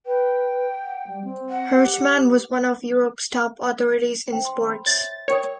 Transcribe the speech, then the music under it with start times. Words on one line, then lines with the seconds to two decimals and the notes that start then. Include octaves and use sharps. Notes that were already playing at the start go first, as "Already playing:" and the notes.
Herschmann was one of Europe's top authorities in sports.
0.06 B4 G5
0.83 F#5
1.07 G3
1.24 C4
1.49 F#5
1.74 G4
4.30 C5 G5
4.45 C6
4.67 B5
4.86 C#5 E5 A6
5.28 A#4 C#5 G5 D#6